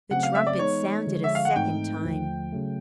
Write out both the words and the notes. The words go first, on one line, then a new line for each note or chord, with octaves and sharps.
The trumpets sounded a second time.
C#3 F#3 A3 C4 F#5
F5
E5
D5
E3 G#3 B3 D#4 C#5
D3 F3 G#3
E5
F5
F#5
G#2 E3 A3 C4 D#4 G5
D#2 D3 F3 A3
C#3 F#3 A3